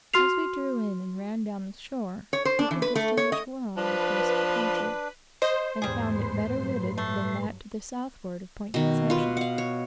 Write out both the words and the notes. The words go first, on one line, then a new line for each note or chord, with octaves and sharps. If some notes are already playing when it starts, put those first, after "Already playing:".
As we drew in, and ran down the shore, we could distinguish well the face of the country, and found it better wooded than that to the southward of Point Conception.
F#4 C6 F6 C7 F7
C#5
C5
D4
E3
B4
A3
C#5
D#5
F3 D4 B4
C5 D#5
E2 G#2 G3 G#4
A2 B4 C6
G2 F#3
A3
B2 D#3
F4 B4
F5 F#5
C#5